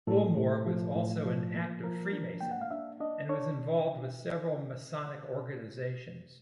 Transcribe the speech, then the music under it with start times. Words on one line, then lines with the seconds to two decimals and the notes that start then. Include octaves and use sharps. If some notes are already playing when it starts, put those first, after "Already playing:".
Bullmore was also an active freemason, and was involved with several masonic organizations.
0.07 A2 A4
0.37 A2
0.66 F3
0.95 A2
1.25 F3
1.54 A#3
1.83 F3 A#4
2.13 D4
2.41 A#3 G5
2.51 F#5
2.61 F5
2.71 D4 E5
3.00 D4 D#5
3.29 D4 C#5